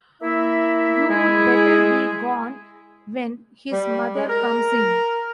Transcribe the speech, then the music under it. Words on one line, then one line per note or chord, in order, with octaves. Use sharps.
You’d better be gone when his mother comes in.
A#3 E4 E5
G#3 E4 G#4
G3
G#3
A#4